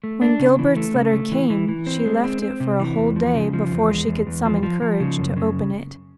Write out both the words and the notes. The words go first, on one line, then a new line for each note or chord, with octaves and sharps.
When Gilbert's letter came she left it for a whole day before she could summon courage to open it.
A3
D4
C#3
E3
A3
C#3
A3
E3
E3
E3
C4
G#3
C4
C4
C3
E3
E2
F3
C#3
F3
E2
G#3
E2
E2
F3
F3
F3
C#3
F#2
C#3